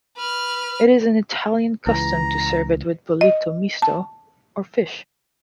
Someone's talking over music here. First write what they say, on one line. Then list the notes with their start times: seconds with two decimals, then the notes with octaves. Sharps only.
It is an Italian custom to serve it with bollito misto or fish.
0.17 B4 F6
1.87 C#2 E3 A#5
3.21 D#5
3.82 A5